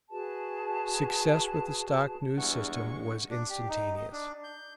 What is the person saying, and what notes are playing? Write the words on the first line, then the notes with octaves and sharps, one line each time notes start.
Success with the "stock" news system was instantaneous.
F#4 G#4 B4 A5
E2 G2 G#3 F#5 C#6
D4
G4
D#4
D#5
D4
G6